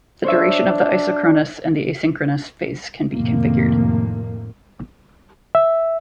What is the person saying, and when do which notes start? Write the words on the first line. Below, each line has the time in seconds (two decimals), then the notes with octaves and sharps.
The duration of the isochronous and the asynchronous phase can be configured.
0.24 D4 C5 C#5 E5
3.12 F2 A2 C3 D#3 A#3
5.55 E5